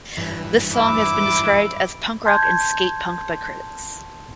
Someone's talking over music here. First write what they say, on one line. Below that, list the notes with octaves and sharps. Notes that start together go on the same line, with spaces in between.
This song has been described as punk rock and skate punk by critics.
G2 E3
E4 D6
A5 C6 G6 G#6